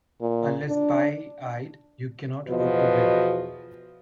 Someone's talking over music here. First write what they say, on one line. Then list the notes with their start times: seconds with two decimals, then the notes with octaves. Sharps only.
Unless pie-eyed, you cannot hope to grip.
0.21 A#2
0.68 D4
2.48 E2 B2 F3 F#4 B4 D#5